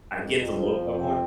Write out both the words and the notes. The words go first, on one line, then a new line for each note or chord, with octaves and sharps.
I get the look I want.
F2
F2
F3
F2
C4